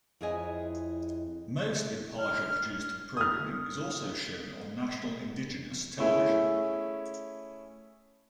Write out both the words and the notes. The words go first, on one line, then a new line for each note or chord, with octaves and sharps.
Most Imparja-produced programming is also shown on National Indigenous Television.
F2 E4 G#4 C#5 D#5 G#5
F6
D#6 F6
A3 C#4 E4 G#4